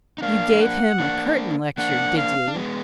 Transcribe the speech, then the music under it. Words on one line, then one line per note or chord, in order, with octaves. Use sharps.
'You gave him a curtain lecture, did you?'
D#4
A#3 D4 F5
F#5
A#3 D4
A#3 D4 F#5
F5
D4
G#3 B3